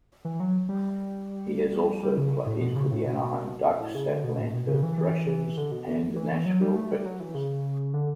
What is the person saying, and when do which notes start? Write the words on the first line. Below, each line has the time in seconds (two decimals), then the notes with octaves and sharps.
He has also played for the Anaheim Ducks, Atlanta Thrashers and Nashville Predators.
0.25 E3
0.40 F#3
0.69 G3
2.03 G3
2.18 C#3
2.46 A2
2.61 B2
2.76 C#3
2.91 A2
3.06 B2
3.80 A2
3.95 C#3
4.09 D3
4.24 B2
4.39 A2
4.54 B2
4.68 C#3
4.83 E3
4.98 E3
5.28 E3
5.57 D3
5.72 B2
5.87 D3
6.16 E3
6.32 E3
6.46 F#3
6.62 G3
6.76 A3
6.91 G3
7.05 F#3
7.20 E3
7.35 C#3
7.94 D3